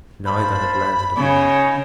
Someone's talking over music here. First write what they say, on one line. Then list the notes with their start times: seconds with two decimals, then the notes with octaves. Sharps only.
Neither had landed a blow.
0.26 A#3 C5 A5 B5
1.17 C#3 D#4 C#5 G#5